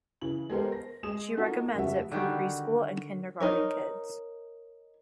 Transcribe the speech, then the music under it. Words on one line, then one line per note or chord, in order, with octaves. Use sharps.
She recommends it for preschool and kindergarten kids.
C#3 E3 F#7
G#3 B3 G4 A4 A#4 C5
A#6
G#3 G#4 D#6 E7
D#4 F4 F#4 A4 A#4
F1 C#3 F#4 E5
D3 D#3 G3 F#4
D#4 A#4 C#5